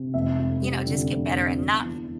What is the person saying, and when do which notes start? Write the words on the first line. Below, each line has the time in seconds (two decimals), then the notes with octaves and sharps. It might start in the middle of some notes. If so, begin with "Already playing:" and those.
you know, just get better, and not f
Already playing: C3
0.14 F1 E5
0.39 F2
0.62 G3
0.87 D3
1.10 F1
1.35 F2
1.59 E2
1.82 E3